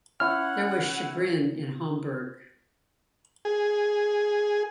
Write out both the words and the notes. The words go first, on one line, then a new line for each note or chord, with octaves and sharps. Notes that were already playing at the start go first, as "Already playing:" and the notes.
There was chagrin in Hamburg.
C#4 E4 F#5 F6
G#4